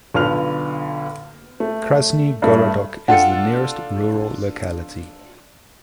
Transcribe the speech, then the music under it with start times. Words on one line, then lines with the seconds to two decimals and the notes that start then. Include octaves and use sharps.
Krasny Gorodok is the nearest rural locality.
0.14 B1 D3 F4 B4 F6 F7
1.60 A3
2.42 G2 A3
3.08 D4 F4 A4 F#5 G5